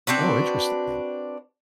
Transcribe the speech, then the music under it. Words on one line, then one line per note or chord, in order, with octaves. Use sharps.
Oh, interesting.
C4 D4 F#4 B4